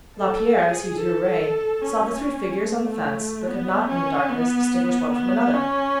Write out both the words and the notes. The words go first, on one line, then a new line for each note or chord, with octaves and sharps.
Lapierre, as he drew rein, saw the three figures on the fence, but could not in the darkness, distinguish one from, another.
A4
G#4
A4
C#4
A3
B3
C#4
B3
B3
C#4